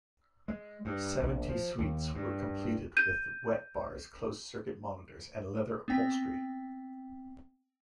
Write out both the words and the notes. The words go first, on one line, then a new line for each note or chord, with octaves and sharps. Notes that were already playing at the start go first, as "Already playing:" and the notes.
Seventy suites were completed with wet bars, closed circuit monitors and leather upholstery.
G#3
G2
A#1
F3
D#2
G2
G6 D#7
B3 C4 G5 B6